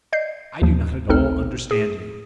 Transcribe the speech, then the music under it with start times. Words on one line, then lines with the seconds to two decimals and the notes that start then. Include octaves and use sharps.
"I do not at all understand you!"
0.12 D5 D#5 G6 C7
0.62 D#2 F3
1.09 A1 D2 C4 D#4 A4 F6
1.71 G#4